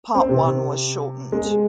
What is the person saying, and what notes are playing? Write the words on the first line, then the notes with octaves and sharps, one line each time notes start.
Part One was shortened.
C4
C3
G#3